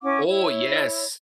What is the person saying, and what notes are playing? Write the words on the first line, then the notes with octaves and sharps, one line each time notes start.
Oh, yes.
C#4 E4 F#5 D6
E4 C#5